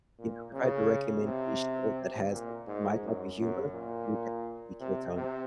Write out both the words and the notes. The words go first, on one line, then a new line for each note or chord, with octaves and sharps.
you know, if I had to recommend any show that has, like, my type of humor, it would definitely be Kill Tony.
A#2
C#3
C3
A#2
G#2
F#2
F#2
A#2
C3
C3